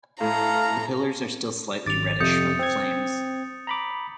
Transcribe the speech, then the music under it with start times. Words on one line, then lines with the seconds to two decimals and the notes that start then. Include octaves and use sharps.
The pillars are still slightly reddish from the flames.
0.21 A2 A4 F5 A#5
1.86 G#1 D6 A6 F7
2.20 F2 C3 D#6 G6 C#7
2.59 C4 G#6
3.67 A#5 B5 D6